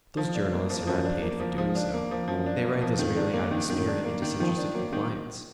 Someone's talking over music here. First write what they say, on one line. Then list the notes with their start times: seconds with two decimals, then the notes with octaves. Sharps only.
Those journalists are not paid for doing so: they write thus merely out of a spirit of disinterested complaisance.
0.17 F3
0.35 D4
0.53 A#3
0.70 F3
0.87 F#2 F3
1.05 D4
1.22 A#3
1.40 F3
1.58 G#2 F3
1.75 D4
1.94 A#3
2.11 F3
2.28 F#2 F3
2.46 D4
2.64 A#3
2.82 F3
2.98 F2 D#3
3.17 D4
3.34 A#3
3.51 D#3
3.69 F#2 D#3
3.87 D4
4.05 A#3
4.22 D#3
4.39 D#3 F3
4.58 D4
4.75 F#3 A#3
4.93 D#3